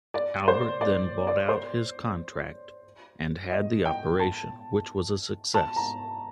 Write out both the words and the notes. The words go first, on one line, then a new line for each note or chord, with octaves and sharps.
Albert then bought out his contract and had the operation, which was a success.
D5
C5
D5
D5
C5
D#5
G5
A5
A5
A#5